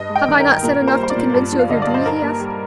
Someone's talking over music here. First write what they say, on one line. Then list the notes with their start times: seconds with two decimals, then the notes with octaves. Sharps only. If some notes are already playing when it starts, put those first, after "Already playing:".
"Have I not said enough to convince you of your duty?" he asked.
Already playing: G2 D#5
0.10 G#3
0.16 G5
0.28 D#3
0.39 A#4
0.46 G2
0.63 A#2 A#4
0.81 A#3
0.88 C5
0.98 G3
1.03 C5
1.10 D5
1.16 A#2
1.34 G2
1.52 F3
1.59 F5
1.69 D3 D#5
1.82 G2 D5
1.94 C5
2.05 D#4 A#4
2.23 A#3
2.40 G3